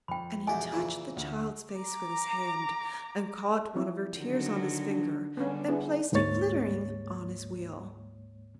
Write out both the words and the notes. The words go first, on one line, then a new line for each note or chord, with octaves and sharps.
And he touched the child's face with his hand, and caught one of her tears on his finger, and placed it, glittering, on his wheel.
F2 G5 B5
B1 E2 G4 G#5
A#2 C#3 E3
D2
A#5 D6
F3 C4 E4
D3 D#3 F#3
D4
D3 G3 B3 C#4
B3 E4 G#4
D2 G#2 G#3 A#3 C#5 A6